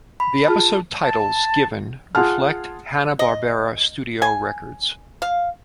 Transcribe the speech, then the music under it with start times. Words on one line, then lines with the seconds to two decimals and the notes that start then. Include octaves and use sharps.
The episode titles given reflect Hanna-Barbera studio records.
0.20 B5
0.48 F4 G#4 A5 F6
1.01 A5
2.15 F4 G#4 F#5 A5 F6
3.19 D#5
4.22 G#5
5.22 F5